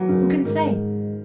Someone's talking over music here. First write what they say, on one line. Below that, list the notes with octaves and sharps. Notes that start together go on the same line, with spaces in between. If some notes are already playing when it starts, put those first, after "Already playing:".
Who can say?
Already playing: E3 F#3
F#2 C#3
G#2 D#3